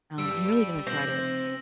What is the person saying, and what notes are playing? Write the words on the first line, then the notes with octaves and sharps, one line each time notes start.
Um, I'm really gonna try to
G2 G3 E6 D7
F1 C4 C5 E5 A#6 F#7